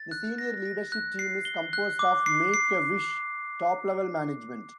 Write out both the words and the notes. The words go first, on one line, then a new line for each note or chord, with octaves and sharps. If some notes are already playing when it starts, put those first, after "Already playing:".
The senior leadership team is composed of Make-A-Wish's top-level management.
Already playing: A6
F#6
A#6
A#6
F#6
C7
G7
F#6
D6
C7
C7